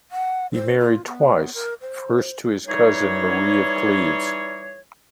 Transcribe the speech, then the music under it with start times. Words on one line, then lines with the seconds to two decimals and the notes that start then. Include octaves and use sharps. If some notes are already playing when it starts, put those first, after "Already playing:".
He married twice, first to his cousin, Marie of Cleves.
0.12 F#5
0.53 C5
0.79 F4
1.06 B3
1.55 A#4
1.81 C5
2.67 E3 G3 D#4 G#4 C#5